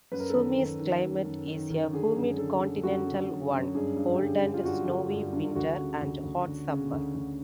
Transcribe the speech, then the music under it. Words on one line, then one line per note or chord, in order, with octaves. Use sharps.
Sumy's climate is a humid continental one: cold and snowy winters, and hot summers.
F#2 B4
A#4
A4
D#3 A#4
D#3
D#3
F#2
F#2
D#3
D#3
D3 G#4
F#2
D3 A4
D3
F#2 F#4
D3
F#2
F#2
G2 G#4
G2
G4
D3 G#4
D3
F4
G2 F#4
D3
G2
G2
D2 F#4
C#3
D2
D2
D2
C#3
D2
D2